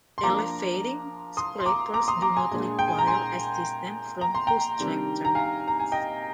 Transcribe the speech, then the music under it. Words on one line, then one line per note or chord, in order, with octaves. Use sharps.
Elevating scrapers do not require assistance from push-tractors.
C6
F3 A#3 D4 A#5 D6
C6 D#6
C6
A#5 D6
A#5 D6
C6 D#6
A#5 D6
G#5 C6
A#2 G#3 D4
G5
G#5
A#5
G#5 C6
A#5
C6
G5 A#5
C3 D#3 G3 D4
A#5
F5 G#5
A#5
G#5
D#5 G5